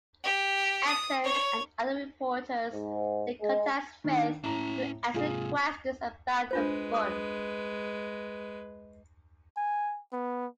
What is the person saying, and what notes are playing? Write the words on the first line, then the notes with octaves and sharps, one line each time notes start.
Edson, and other reporters, did contact Smith, who answered questions about the Fund.
G4
D#6
C#5
G#2
G#3
D#3 D4
A2 C#4 A5 A#5
G#2 C3 F4 G#4
G#3 D4 F4 B4 C5
D#6
G#5
B3